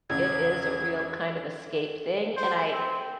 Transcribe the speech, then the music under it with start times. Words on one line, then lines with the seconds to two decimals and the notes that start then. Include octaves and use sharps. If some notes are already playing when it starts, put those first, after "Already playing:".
it is a real kind of escape thing and I
0.10 A1 E2 C#3 G#6
2.36 C5
2.73 C4